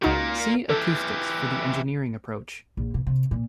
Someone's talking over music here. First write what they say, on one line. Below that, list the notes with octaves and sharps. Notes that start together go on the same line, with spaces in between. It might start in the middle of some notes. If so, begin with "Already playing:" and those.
See acoustics for the engineering approach.
C#2 A#2 A#3 D#4 F#4
E3 G4 A4
A#1
B2
C3
A#2